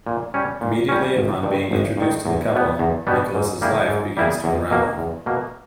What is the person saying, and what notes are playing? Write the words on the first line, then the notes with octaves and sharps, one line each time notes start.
Immediately upon being introduced to the couple, Nicholas' life begins to unravel.
A#2
G3 C#4
A#2
G3 C#4
G#1
G2 D#3
G#1
G2 D#3
E2
B2 G3 B3
E2
B2 G3 B3
G#2
G3 A#3 E4 G#4
G#2
G3 A#3 E4 G#4
E2
B2 A#3
E2
B2 A#3